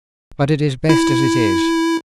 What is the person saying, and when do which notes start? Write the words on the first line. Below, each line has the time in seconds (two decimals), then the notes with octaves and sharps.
But it is best as it is.
0.89 E4